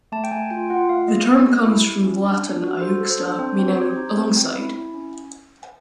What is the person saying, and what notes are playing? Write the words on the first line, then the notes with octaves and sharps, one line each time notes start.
The term comes from the Latin "iuxta", meaning "alongside".
A3 A5
G5
A3 G#5
F4 G5
F4 F#5
A3 F5
A#3 D#5
C#4
G4
E4
G4
C#4
D4
D4
F#4
A4 C5
A4
C5
D4
C4 C5
C4
C5
G4 C#5
D#4 C5
C4
C4
E4
E4
C#4